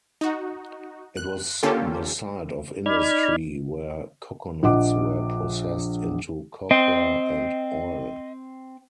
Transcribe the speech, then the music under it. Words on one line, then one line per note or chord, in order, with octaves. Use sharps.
It was the site of industry where coconuts were processed into copra and oil.
D#4 F#4
F#6
D3 A#3 C#4 F4 G4 A4
D#4 D5 B5 F6 G#6
A#1 D#5 F#5 D6
C4 D#5